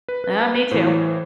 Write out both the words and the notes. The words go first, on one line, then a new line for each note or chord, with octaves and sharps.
Uh, me too.
B4
B4
B4
B4
A2 E3 C5
C#5
C5